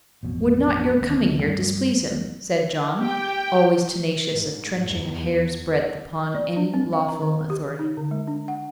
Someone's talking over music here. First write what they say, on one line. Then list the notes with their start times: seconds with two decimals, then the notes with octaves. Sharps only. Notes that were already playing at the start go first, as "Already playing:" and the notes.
"Would not your coming here displease him?" said John, always tenacious of trenching a hair's breadth upon any lawful authority.
0.23 A1 F2 B2
1.00 D1 D2 D#3 C#4
1.40 G2 G3 A3 C#4
2.99 G4 G5
4.29 G#2
4.85 E2
6.35 D5
6.57 D4
6.74 C4
6.93 F5
7.09 A#5
7.22 D#3
7.50 G4
7.79 D#4
7.97 D3
8.11 G#3
8.27 D4
8.48 F#5